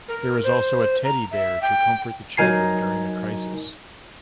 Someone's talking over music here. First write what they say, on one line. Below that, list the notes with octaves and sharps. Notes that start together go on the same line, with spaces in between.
There is also a teddy bear to comfort the children during a crisis.
A#4
C5
A#5
E5
G5
F#3 D#4 A#4 G#5 A#5 C7